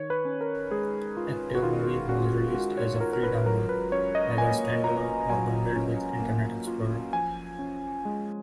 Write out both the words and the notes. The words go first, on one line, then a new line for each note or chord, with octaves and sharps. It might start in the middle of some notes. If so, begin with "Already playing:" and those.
ActiveMovie was released as a free download, either standalone or bundled with Internet Explorer.
Already playing: D#3 C#5
B4
C#4
A#4
G#3 G#4
F4
F#4
D#3 F4
C#4 F#4
G#3 F#4
C#5
F4 A#4
A#4
B4
F#3 A#4
B4
C#4 C#5
D#5
A#3 G#5
F4 A#5
F#3 G#5
C#4
A#3
F4
F3 G#5
C#4
G#3